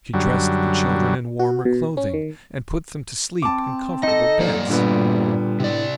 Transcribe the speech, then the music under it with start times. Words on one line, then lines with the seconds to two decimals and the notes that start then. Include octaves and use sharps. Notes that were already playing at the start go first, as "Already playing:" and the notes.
She dressed the children in warmer clothing and put them to sleep in comfortable beds.
0.14 F#2 D3 F#3 G3
1.39 F#4
1.65 B2
1.97 C#4
2.14 D#3
3.42 C4 A5 D6
4.03 D#4 A4 D#5
4.39 G2 F#3 A#3 D5
4.69 A#2 D3 G3 B3
5.60 A2 C3 D5